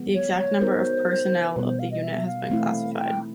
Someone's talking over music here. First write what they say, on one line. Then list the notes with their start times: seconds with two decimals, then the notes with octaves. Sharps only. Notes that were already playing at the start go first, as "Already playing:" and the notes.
The exact number of personnel of the unit has been classified.
Already playing: D3 F3 G#3 B3
0.14 C#5
0.38 C#5
0.61 B3 D#4 F#4 A#4 C5 C#5
1.55 B2 G3 B3 B4
1.68 C5
1.79 F5
1.91 D#5
2.03 E5
2.27 F5
2.50 E3 A3 C4 E4
2.97 G5